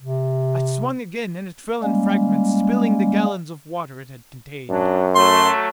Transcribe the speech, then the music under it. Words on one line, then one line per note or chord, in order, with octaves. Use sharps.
I swung again and it fell in fragments, spilling the gallons of water it had contained.
C3
G3 G#3 A#3 C#4
F#2 F#3 D4
F#3 A3 C6